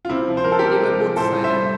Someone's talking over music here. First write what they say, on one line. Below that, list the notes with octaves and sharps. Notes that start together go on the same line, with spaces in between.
They were both silent.
F4
C3 C4 E4
F3
C5
F3 A#4
A4
C3 G4 A#4
C3
F3
A2 A4 C5
G3
C5 E5
G3